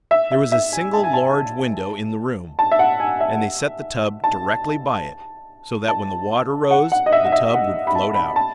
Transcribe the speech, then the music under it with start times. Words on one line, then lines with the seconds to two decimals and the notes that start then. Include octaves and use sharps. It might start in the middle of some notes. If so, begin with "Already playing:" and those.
There was a single large window in the room, and they set the tub directly by it, so that when the water rose the tub would float out.
0.11 E5
0.32 E5
0.52 E5
0.73 G#5
0.93 A5
1.04 G#5
1.13 A5
2.59 A5
2.72 E5
2.79 F#5
3.00 G#5
3.20 E5
4.24 A5
5.88 A5
6.71 F#5
6.92 F#5
7.06 D#5
7.12 E5
7.25 F#5
7.32 E5
7.54 F#5
7.87 B5
7.95 A5
8.15 B5
8.36 A5